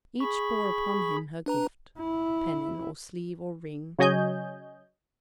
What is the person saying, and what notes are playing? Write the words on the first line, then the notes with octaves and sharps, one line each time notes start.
Each bore upon him her gift--pennon, or sleeve, or ring.
G#4 B5 C#6
D4 B4 A#5
E4
C#3 F#3 C#5 D#5 G#5 G6